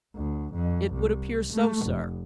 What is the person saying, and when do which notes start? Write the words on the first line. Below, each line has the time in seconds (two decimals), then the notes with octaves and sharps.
"It would appear so, sir."
0.15 D2
0.54 F2
0.94 C2
1.53 A3
1.87 F1